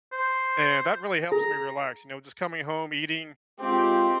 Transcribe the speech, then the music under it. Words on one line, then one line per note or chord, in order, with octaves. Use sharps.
And that really helps me relax, you know, just coming home, eating
C5
G#4 A#5
G#3 C4 F4 G4